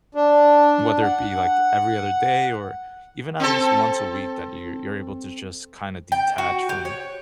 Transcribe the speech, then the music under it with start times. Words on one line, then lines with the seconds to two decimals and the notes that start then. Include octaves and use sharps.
whether it be, like, every other day or even at least once a week that you're you're able to just kind of detach from
0.15 D4
1.02 F#5
3.40 C4 A4
6.12 G5
6.38 F#4
6.69 G4
6.85 C#5